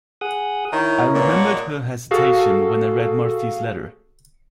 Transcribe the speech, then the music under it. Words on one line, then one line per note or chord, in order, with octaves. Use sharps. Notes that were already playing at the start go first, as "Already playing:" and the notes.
I remembered her hesitation when I read Marthe's letter.
G#4 F#5 D#6
D#3 E4 A#4 C#5 D#5 A#5
A#2 A#3 B3 C#4
F#5 A5 C#6
F#4 G#4 A4 F5